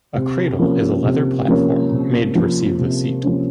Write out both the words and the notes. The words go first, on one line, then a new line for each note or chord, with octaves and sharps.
A cradle is a leather platform, made to receive the seat.
C3
F3 A#3 C#4
C3
F3 A#3 C#4
C3
F3 A#3 C#4
C3
F3 A#3 C#4